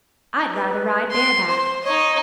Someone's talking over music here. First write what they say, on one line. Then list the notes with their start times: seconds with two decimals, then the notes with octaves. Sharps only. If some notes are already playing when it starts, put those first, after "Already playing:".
I'd rather ride bareback.
0.55 B4
1.11 C6
1.48 C5 C6
1.84 D#4 C#5 D#5